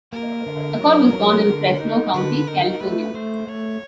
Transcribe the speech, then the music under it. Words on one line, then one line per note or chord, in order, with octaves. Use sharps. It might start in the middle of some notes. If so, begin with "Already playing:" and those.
Acord was born in Fresno County, California.
A#3 A#4
D3
F#3
F#3
D3
D#4
D3 B4
D#4 A#4
A3 B4
A3 C5
A3 C#5